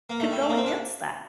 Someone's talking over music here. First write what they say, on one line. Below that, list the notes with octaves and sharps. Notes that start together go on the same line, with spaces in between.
could go against that?
A#3
A3
G3
A3
A#3
C4
D4